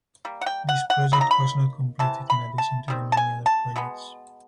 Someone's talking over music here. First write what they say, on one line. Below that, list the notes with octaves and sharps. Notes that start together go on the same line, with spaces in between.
This project was not completed in addition to the many other projects.
G3 A#3
F#5
G5
F#5
F#5
F#3 A#3 D#4 B5
A#5
B5
C3 E3 A5
B5
A5
D#3 G3 C4
A5
G#5
A5
B2 G#3 B3